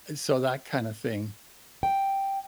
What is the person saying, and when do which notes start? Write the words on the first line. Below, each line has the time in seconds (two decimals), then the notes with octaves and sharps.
uh, so, that kind of thing,
1.83 G5